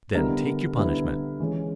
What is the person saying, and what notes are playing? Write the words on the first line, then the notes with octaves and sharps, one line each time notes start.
"Then take your punishment!"
D3 G3 B3 E4 A#4
D3 G3 B3 E4 B4
E3 G#3 C#4